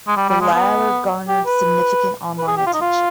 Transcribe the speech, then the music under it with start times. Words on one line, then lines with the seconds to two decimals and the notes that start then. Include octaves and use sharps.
The latter garnered significant online attention.
0.08 G#3
0.17 G3
0.29 G3
0.41 G#3
0.54 B3
1.28 G4
1.46 B4
2.39 B4
2.47 G#4
2.57 G4
2.67 F4
2.74 D#4
2.81 F4